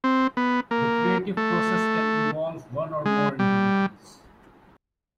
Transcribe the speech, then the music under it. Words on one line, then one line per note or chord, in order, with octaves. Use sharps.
The creative process can involve one or more individuals.
C4
B3
A#3
A3
G#3
G3